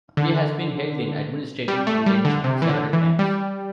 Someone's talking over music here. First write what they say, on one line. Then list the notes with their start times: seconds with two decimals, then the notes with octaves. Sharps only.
He has been held in administrative detention several times.
0.17 D3
1.68 G3
1.87 A3
2.06 G3
2.25 D3
2.44 C3
2.62 E3
2.69 D3
2.93 E3
3.19 G3